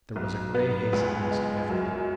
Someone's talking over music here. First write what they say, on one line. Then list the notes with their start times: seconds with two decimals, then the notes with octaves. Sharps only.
There was a gray haze of mist everywhere.
0.16 B1
0.55 B3
0.93 C#2
1.31 G#3
1.70 F#2